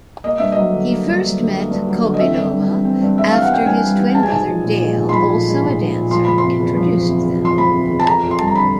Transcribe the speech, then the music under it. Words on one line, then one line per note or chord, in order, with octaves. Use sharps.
He first met Kopylova after his twin brother Dale, also a dancer, introduced them.
A#3 D#5
G2 E5
F#3 D#5
D3
A#3
G2
F#3
D3
A#3
G2
F#3
D3
D#5
C4 E5
G2
G3
E3
C4
G2
G3 E5
E3 F5
F#5
C4 G5
G2 G#5
G3
E3
G#3 A5
G#5
B1 A5
F3
A#2
G#3
B1
C6
F3 B5
A#2
G#3
B1
F3
A#2
F3 C6
F#1 B5
C6
C3
E2
F3
F#1
C3
E2
F3 C6
F#1 B5
C3
E2
A5
F2 A#5
F2
C6
G3 A5
A#5
D3 B5